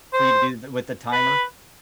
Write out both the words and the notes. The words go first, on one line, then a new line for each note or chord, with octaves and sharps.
for you to do th with the timer.
C5
B4